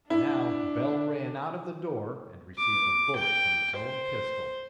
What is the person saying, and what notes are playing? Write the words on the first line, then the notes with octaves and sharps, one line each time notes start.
Now Bell ran out of the door and received a bullet from his own pistol.
D4 E4
D6
G5
C5